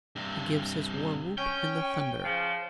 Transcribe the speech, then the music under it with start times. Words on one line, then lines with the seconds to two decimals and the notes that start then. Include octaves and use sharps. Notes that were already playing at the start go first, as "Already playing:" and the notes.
He gives his war-whoop in the thunder.
0.16 G2 C3
1.38 C#4 G5
2.25 C#3 F3